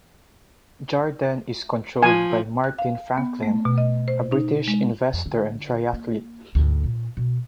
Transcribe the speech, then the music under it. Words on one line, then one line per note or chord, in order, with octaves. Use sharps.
Jarden is controlled by Martin Franklin, a British investor and triathlete.
F3 G#5
F#6
F5
B3
A3
B2
D#5
C5
D#4
G#3
F2
D3
A#3
D2 G#2
A#2
B2